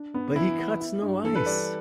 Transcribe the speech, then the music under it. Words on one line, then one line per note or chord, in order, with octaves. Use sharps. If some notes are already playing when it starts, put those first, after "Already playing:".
But he cuts no ice.
Already playing: D4
G2 B3
E3 E4
B3
E4
G2
E3 A4
B4
G3 D5